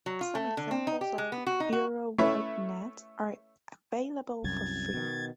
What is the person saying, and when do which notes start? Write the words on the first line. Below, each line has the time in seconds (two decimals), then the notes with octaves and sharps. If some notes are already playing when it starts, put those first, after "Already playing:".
Some examples of EuroWordNet are available for free.
0.06 F#3
0.21 F4
0.35 A3
0.57 D3
0.71 C4
0.87 D#4
1.01 G4
1.18 G#3
1.32 B3
1.47 F#4
1.60 D#4
1.73 F#4
2.19 A3 C#4 E4 B4 C#5 E5
4.44 C2 F#2 G#6 A6
4.94 B2 D#3